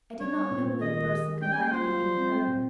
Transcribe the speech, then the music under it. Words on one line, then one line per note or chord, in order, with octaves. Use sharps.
I did not know that a person could like anything that hurt her.
G3 C#5
C#4
A#2
A#2
D#3 D#5
D#3
G4
G#3
C#4 G5
G#5
A#3
G5
F4 C5
F4
G3
C4
C4
A#2